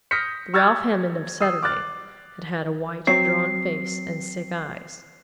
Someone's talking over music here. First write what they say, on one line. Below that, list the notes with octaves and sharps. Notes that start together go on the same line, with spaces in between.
The Ralph Hammond of Saturday had had a white, drawn face and sick eyes.
D#6 F6 G6 A#6 B6 C#7
C#6 E6 F6 G#6 A6
D#6 E6 C7
D6 F6 F#6 A6
F#3 C4 C#5 C7